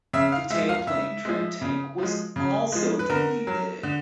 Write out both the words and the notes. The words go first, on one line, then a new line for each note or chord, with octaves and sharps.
The tailplane trim tank was also deleted.
C#3 E5
F5
F3 G#3 E5
F5
C#3 E5
F3 G#3
C#3
F3 G#3
C#3
F3 G#3
B4
D3 A#4
F#3
D3